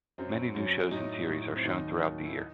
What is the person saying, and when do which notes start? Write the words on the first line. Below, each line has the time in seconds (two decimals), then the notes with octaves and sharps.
Many new shows and series are shown throughout the year.
0.18 F#2 F#3 C4
0.55 F#2 F#3
0.91 A2 F#3 D#4
1.28 A2 F#3
1.56 C4
1.64 D#2 D#3 F#3 D#4
2.01 D#2 D#3 F#3
2.26 E4
2.37 D#4